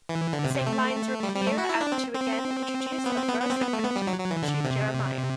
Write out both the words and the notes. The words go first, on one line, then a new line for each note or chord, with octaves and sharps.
These same lines reappear at to again introduce a verse accredited to Jeremiah.
E3
D3
C3
C3
A3
G3
G3
A3
F#4
E4
D4
C4
C4
B3
C4
B3
B3
C4
B3
A3
B3
G3
F#3
F#3
E3
D3
C3